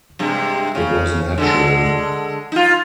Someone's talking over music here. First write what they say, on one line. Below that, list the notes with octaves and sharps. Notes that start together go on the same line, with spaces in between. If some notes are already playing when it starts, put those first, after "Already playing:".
It was natural.
G2 C3 G#3
C#3
D3 G#3 A4
D#4 F4